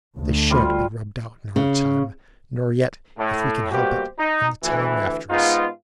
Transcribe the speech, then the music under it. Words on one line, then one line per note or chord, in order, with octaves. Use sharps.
They shan't be rubbed out in our time, nor yet, if we can help it, in the time after us.
D2
G3 F4
C#3
A2
B2 G3 A#3 F#4 G4 C5
D#4
D2 E3
G#2 G#3 B3 D#4 F4